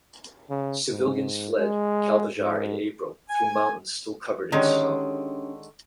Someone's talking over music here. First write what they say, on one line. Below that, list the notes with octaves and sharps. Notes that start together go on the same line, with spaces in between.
Civilians fled Kalbajar in April through mountains still covered in snow.
C#3
G#2
G#3
G#2
G#5
D3 D#3 G#3 C#4 D4 G4